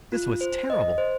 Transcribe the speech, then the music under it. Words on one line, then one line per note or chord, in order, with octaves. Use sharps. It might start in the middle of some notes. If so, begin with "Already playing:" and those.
This was terrible!
F4
C5
D#5
C5